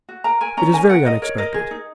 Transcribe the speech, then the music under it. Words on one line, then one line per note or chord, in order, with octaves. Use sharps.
It is very unexpected.
F#4
A#4 A#5
A#4 G#5
C#4 A#5
A#4 G#5
A#4 F#5
A#4 D#5
A#4 C#5
A#4 D#5
G#4
D#4